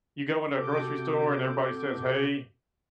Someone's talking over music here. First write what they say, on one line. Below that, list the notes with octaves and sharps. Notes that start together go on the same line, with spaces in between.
you go in a grocery store, and everybody says hey.
C3 F#4 A4 D6 G6